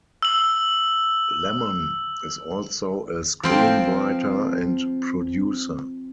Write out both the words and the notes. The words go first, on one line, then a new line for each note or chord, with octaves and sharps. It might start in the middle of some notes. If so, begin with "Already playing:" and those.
Lemmon is also a screenwriter and producer.
E6 F#7
F3 C4 G5